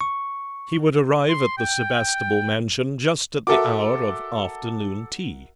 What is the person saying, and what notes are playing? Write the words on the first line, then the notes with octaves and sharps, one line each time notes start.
He would arrive at the Sebastable mansion just at the hour of afternoon tea.
C#6
C6
G5
F#4 A4 A#4 E5 D6